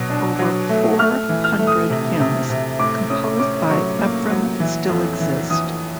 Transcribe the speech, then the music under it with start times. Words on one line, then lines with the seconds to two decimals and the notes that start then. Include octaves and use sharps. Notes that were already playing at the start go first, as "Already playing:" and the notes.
Over four hundred hymns composed by Ephrem still exist.
Already playing: B2 F#3
0.10 D4
0.39 F#3
0.69 A3
0.99 A3 F6
1.29 E3
1.44 F6
1.59 A3
1.67 D#6
1.90 C3
2.19 C3
2.50 C3
2.79 A2 D6
3.09 C#4 D#6
3.39 C#4 D6
3.70 F#3 C#6
3.99 A#3
4.30 F#3
4.60 E3
4.89 F2
5.20 E3
5.50 E3 D#6